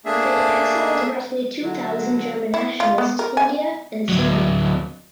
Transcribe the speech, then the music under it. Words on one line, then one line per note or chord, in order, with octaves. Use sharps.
They exiled roughly two thousand German nationals to India and Siam.
A3 A#3 D4 G#4 E5
D3 F#3
E4
F4
B3
A#4
G#5
D2 F#3